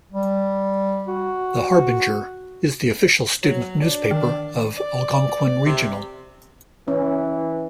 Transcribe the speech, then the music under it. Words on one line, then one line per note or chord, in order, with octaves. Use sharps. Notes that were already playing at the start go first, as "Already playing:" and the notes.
"The Harbinger" is the official student newspaper of Algonquin Regional.
G3
F#4
F#3
D4
D#3
D5
C3
E3 C#4